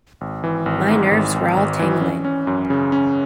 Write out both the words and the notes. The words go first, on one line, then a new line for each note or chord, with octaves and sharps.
My nerves were all tingling.
G#1
E3
G#1
G#2
G#1
G#1
G#1
E3
C#4
C#4
F#2
C#3
C#4